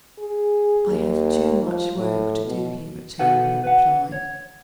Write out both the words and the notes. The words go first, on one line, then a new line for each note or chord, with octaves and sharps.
"I have too much work to do here at home," he replied.
G#4
D#2
F3
A2
B2
B2 F#4 A4 B4 F#5
B4 F#5
C#5